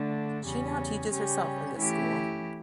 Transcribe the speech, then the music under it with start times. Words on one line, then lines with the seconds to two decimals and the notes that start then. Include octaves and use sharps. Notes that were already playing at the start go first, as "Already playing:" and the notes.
She now teaches herself in this school.
Already playing: D3 A3 D4
0.43 E2 C#3 G3 C#4
1.10 C#3 G3 C#4 G4
1.78 E3 A3 C#4 E4 G4